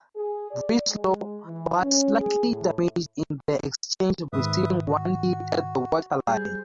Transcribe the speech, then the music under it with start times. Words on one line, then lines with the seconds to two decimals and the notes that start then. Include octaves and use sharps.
"Breslau" was slightly damaged in the exchange receiving one hit at the waterline.
0.16 G#4
0.51 D5
0.89 G#3
1.45 E3
1.80 C#4
2.20 G#4
2.49 A2
4.33 G#2 D#3 B4 E5 D#6
4.87 F#4
6.27 G3 G#4 C5